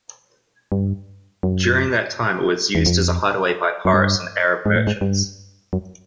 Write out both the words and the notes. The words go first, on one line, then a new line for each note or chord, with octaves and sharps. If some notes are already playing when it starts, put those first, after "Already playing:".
During that time it was used as a hideaway by pirates and Arab merchants.
G2
F#2
E2
F2
F#2
G2
G#2
A2
G#2
G2
F#2